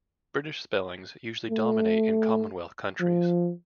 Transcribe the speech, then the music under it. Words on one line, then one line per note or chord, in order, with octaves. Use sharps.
British spellings usually dominate in Commonwealth countries.
A3
F3